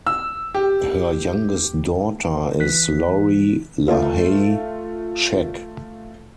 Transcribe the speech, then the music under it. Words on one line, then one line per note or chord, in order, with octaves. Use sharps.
Her youngest daughter is Lori LaHaye Scheck.
E6
G4
E3 F#6 B6
A3 F4